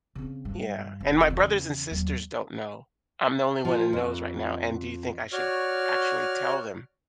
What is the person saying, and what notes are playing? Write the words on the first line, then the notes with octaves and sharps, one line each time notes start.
Yeah, and my brothers and sisters don't know. I'm the only one who knows right now, and do you think I should actually tell them
C#3 C4
G2
F1
E2 C#3
D#2 F#3
F3
F2
F#4 C#5 D5 F6